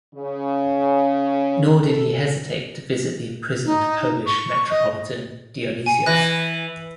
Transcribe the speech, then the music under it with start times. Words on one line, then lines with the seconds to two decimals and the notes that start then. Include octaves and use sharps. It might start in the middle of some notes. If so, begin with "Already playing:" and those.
Nor did he hesitate to visit the imprisoned Polish Metropolitan Dionysios.
0.15 C#3
1.79 A4
3.65 D#4
4.26 C#6
4.70 D#5
5.86 G#5
6.06 E3 F#6 A#6